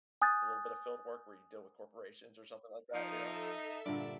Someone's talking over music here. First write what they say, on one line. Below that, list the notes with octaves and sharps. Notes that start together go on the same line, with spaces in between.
a little bit of field work where you deal with corporations or something like that, you know,
G#5 D#6 F#6 G6 A6
F3 D#4 A4 E5
G2 A#2 D3 D5